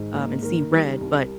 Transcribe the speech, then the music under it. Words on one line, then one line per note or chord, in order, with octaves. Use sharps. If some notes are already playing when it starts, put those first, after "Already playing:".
um, and see red, but
Already playing: G#2 D#3
A#3
D#3 A#4
G3
C2